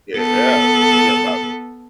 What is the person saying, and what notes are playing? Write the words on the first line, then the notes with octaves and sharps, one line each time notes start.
Yeah, yeah. Yeah, about
B3 A4